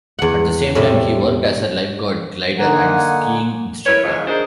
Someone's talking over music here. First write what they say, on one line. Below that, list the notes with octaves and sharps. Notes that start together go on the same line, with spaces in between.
At the same time, he worked as a lifeguard, glider and skiing instructor.
E2 F#5
A2 C3 G3
D3 D#3 A#3 D#4 F#5 G#5
E4 A#4 B4 C#5
E2 G#2 C#3 E3 F3
D4 D#4 G#4 A#4 C5